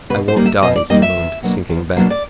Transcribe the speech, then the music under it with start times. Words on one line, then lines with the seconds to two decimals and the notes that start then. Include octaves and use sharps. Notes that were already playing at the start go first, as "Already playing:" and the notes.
"I won't die," he moaned, sinking back.
0.10 B2 B4
0.28 C5
0.36 G3 A#3 D#4
0.46 E5
0.63 B2 D#5
0.76 D5
0.90 G3 A#3 D#4 D#5
1.02 E5
1.17 E2
1.43 B2 F#3 A#3 D4
1.69 E2
1.96 B2 F#3 A#3 D4
2.10 D5